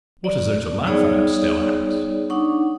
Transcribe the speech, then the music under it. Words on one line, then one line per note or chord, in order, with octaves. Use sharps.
"What is there to laugh at?" Stella asked.
D5
G3 B3 D#4 G#4 C#5 D5
D4 D#4 F#5 C#6